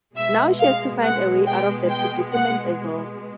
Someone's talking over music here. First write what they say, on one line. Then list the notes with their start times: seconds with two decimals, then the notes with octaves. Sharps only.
Now she has to find a way out of that predicament as well.
0.16 B2 G#3 E5
0.59 F5
1.02 F#5
1.46 G5
1.89 G5
2.33 F#5